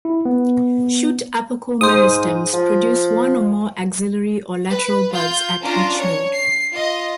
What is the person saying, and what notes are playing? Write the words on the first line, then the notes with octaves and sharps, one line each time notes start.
Shoot apical meristems produce one or more axillary or lateral buds at each node.
E4
B3
G#2 C5 D#6
F3
B4
F4 G6
C#4 D4 F4 A#5
C#5
C7
F4 D#5